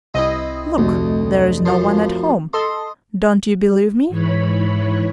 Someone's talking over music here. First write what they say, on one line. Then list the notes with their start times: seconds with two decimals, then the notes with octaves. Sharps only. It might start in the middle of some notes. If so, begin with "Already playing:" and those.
Look, there is no one at home. Don't you believe me?
0.14 C2 C4 E4 D#5
0.78 F1 D2
1.65 F#2 F3
2.53 A4 D#5 C6
4.09 G#2 E3 C#5 B5